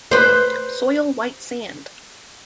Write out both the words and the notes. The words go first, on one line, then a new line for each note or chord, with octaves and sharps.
Soil white sand.
B4 C5